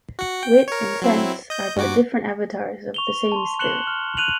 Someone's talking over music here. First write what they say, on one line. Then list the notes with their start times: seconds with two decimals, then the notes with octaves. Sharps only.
Wit and sense are but different avatars of the same spirit.
0.19 F#4 F#5
0.43 G5
0.68 A#4 C#5
1.02 F#3 C4 E4
1.50 D#5 G6
1.77 G2 F#4 D6
2.94 C#6 F7 G7
3.32 A5 C6
3.59 F#6 C#7 E7 F#7 G7
3.87 F6
4.17 F#6 D#7 F7 F#7